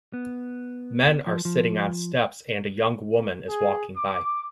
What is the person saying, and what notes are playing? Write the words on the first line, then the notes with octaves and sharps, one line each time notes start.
Men are sitting on steps and a young woman is walking by.
B3
F3
F3
G#4
D6